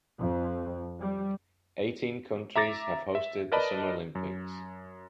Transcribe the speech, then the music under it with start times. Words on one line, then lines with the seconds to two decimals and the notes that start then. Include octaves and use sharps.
Eighteen countries have hosted the Summer Olympics.
0.19 F2
1.00 G3
2.56 E5 A#5 D6 A6 A#6
3.15 E5
3.52 A#4 B4 D5 D#5 A5 B5
4.15 F#2